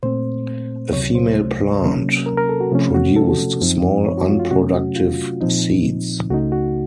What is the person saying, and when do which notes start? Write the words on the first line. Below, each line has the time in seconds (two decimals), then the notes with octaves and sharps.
A female plant produced small unproductive seeds.
0.03 A#2 A3 C4 C5
0.92 C#2 C3 F#3 C#5
1.15 C5
1.82 C3 F#3 A#3 C#4
2.26 A#4
2.37 A#4
2.49 A4
2.60 F#4
2.72 C3 F3 A3 C#4 F4
2.94 F#4
3.16 A4
3.61 F#2 F3 C4 D#4
4.05 C#5
4.18 F#4
4.29 F4
4.39 F4
4.51 C3 F#3 A3 C#4 F#4
4.73 F#4
4.96 F4
5.41 A#2 F3 C4 D#4
6.30 C#2 C#3 A3 D#4 F#4
6.52 F#4